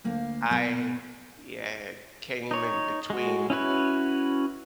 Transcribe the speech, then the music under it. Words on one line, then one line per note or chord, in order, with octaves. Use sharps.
I, yeah, came in between.
D2 A#3 F5
B2 B3 B4
D#4 C#5
G#3 F#4
C#4 E4 F#4 B4 C#5